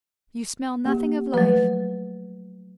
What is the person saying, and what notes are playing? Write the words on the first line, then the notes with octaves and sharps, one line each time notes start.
You smell nothing of life.
A#3 G4
F3 F#3 A3 B4